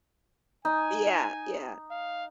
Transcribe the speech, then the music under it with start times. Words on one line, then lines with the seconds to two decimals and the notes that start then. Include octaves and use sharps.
Yeah, yeah.
0.65 D#4 G#5
1.91 F5